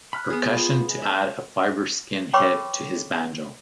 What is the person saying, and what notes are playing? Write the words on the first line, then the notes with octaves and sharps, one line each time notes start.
Percussion to add a FiberSkyn head to his banjo.
B5 F6 F#6
B3 G#4
F4
G#3
E5
B4 C#5 G5 B5 C#6 D6